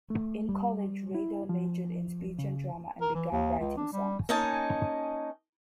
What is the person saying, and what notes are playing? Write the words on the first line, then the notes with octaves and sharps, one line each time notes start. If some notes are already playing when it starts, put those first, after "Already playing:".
In college, Rado majored in Speech and Drama and began writing songs.
A3
G3
E4
F3
C#3
A#4
E3
D#2
C#2
D4
G3
A#3 C#4 D#4 D#5 G#5 A5